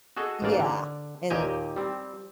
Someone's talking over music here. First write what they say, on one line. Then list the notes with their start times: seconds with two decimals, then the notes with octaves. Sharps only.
Yeah, and,
0.17 F#4 G#4 A4 D#5
0.42 A1 G#2 A#3 D5 F5
0.60 D3
1.30 D#2 A#2 G4 D#5 G#5
1.76 G3 C4